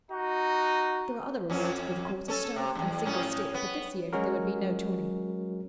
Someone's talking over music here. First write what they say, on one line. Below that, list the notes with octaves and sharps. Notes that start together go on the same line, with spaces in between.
There were other rewards for the quarter-staff and single-stick, but this year there would be no tourney.
D#4 F#4
F2 C#4
C#4 A4
C3
E2 G2
A2 C#4
B3
F#3 G#3 C#4 F#4 A#4